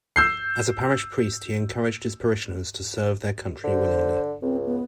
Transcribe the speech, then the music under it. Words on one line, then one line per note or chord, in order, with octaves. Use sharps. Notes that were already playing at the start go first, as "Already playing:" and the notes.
As parish priest, he encouraged his parishioners to serve their country willingly.
E6 G6 C7
D3 C5
C#2 C4
B3